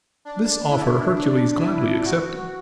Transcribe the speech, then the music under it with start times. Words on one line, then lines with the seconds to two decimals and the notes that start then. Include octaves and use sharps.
This offer Hercules gladly accepted.
0.25 D4
0.70 E4
1.16 D4
1.60 E4
2.05 F#4